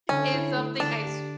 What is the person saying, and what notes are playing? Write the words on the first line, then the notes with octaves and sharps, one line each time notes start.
is something I s
D3 C#4
E4
A3
D3 D4
G4